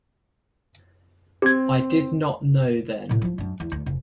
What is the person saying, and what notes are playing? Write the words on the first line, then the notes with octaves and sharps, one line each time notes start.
I did not know then.
C4 G4 G#6
A2 C3
F3 F4
F#2 D4
E2
D2
F1 C#3